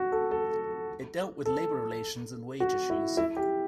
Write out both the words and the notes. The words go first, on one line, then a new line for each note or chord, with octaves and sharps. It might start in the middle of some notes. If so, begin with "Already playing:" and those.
It dealt with labour relations and wage issues.
Already playing: F#4
A4
A4
A4
F#4
E4
E4
G4